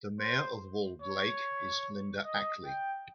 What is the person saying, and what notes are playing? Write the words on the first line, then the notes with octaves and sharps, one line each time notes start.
The mayor of Walled Lake is Linda Ackley.
C5
C#5
D#5
G5